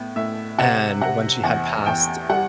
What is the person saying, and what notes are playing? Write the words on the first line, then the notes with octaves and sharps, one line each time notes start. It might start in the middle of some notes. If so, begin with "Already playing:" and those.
and when she had passed,
Already playing: A2 B3
A2 E5
C3 F#5
C3 F#5
E2 F#5
E2 G5
G3 F#5